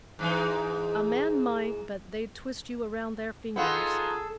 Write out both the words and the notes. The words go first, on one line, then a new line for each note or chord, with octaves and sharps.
A man might, but they'd twist you around their fingers.
G#2 E3 D#4
B3 D#4 F4 G#4 A4